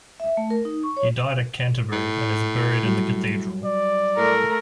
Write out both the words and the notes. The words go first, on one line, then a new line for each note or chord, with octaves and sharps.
He died at Canterbury and is buried in the Cathedral.
E5
A3
A#4
D#4
C#6
C#5
A2
F#3 G3 F#4
D5
A2 A3 A#4